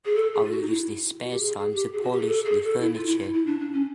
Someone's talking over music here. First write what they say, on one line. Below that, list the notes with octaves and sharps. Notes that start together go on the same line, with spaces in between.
I will use this spare time to polish the furniture.
G#4
A4
G#4
F4
F#4
D#4
E4
F#4
G4
G#4
G#4
G4
G#4
F#4
G4
G#4
A4
G#4
A4
E4
F4
E4
E4
D4
D4
C#4